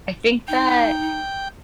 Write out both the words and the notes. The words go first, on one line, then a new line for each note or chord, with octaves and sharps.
I think that
D#4 G5